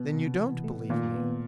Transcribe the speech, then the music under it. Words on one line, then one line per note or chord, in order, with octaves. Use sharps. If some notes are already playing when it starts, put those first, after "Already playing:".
"Then you don't believe me?"
Already playing: B2 B3
C3
E3
A3
A#2 D#3
B3